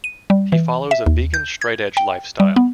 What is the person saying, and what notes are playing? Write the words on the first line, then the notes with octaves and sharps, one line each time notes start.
He follows a vegan straight edge lifestyle.
D#7
G3
E3
E5
D#2
G6
G#6
G5
G3
B3